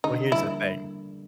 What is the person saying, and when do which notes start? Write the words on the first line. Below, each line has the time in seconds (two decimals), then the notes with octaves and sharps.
Well, here's the thing
0.04 D3 D#4
0.32 G3 A#3 E4